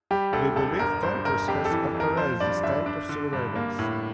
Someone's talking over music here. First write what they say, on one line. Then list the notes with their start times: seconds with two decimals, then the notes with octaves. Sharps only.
We believe Congress has authorized this kind of surveillance.
0.11 G3 G4
0.33 D2 A4
0.56 E1 A4
0.79 G1 A#4
1.02 G2 C5
1.25 G1 A#4
1.48 F2 G4
1.65 A4
1.71 E3
1.94 F2
2.00 A#4
2.17 F3 C5
2.40 G2 D5
2.63 G1 E5
2.86 D4
3.09 D3
3.33 G2
3.56 A#3
3.79 A2